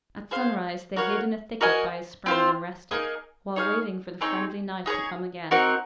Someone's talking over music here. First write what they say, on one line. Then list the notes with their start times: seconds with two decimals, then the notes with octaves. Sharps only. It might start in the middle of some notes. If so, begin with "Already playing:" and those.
At sunrise they hid in a thicket by a spring and rested, while waiting for the friendly night to come again.
0.31 G#4 C5 F5
0.96 F#4 A#4 C#5 F5
1.61 F#4 A#4 D#5 G#5
2.26 C4 F4 C5
2.91 A#3 D#4 G#4 D#5
3.56 D#4 G#4 C#5 F5
4.21 C4 D#4 G#4 C#5
4.86 D#4 G#4 C#5
5.51 C4 D#4 F#4 A#4